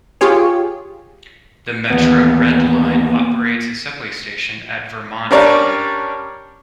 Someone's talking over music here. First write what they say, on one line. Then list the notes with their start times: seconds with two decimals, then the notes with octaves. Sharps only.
The Metro Red Line operates a subway station at Vermont Avenue.
0.21 F4 G4 G#4 C#5
1.90 D#2 E3 A#3 B3
5.31 G3 C#4 D4 A#4 C#5 D5